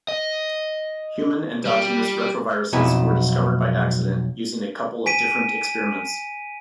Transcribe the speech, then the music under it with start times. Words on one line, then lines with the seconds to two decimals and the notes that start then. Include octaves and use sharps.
Human endogenous retroviruses were discovered by accident using a couple of different experiments.
0.08 D#5
1.65 G3
2.73 B1 F2 F#3 B3 E4 G#5
5.06 G#5 B6 D7 D#7